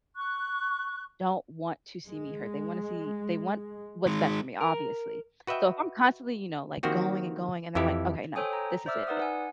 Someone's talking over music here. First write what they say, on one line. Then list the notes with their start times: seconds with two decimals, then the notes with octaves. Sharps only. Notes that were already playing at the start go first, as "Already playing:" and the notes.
don't want to see me hurt. They wanna see they want what's best for me, obviously. So, if I'm constantly, you know, like, going and going and they're, like, "Okay, no, this is it it."
0.15 C#6 F#6
2.10 G#3
4.07 D#3 G#3
4.61 A#4
5.47 F#4 B4 D#5 E5 G5
6.83 D#3 F3 A#3 C4 F#4 G4
7.75 F2 E3 E4 G4
8.36 A4 C5 C#5 G5 G#5 D#6
8.53 A#5
8.86 C5 D5 E5 D6 E6 F6
9.07 D#4 B4 D5 F#5 D#6
9.20 F#5 G#5